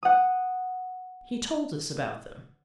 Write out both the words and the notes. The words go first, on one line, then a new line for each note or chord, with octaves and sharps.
"He told us about them."
F#5 D#6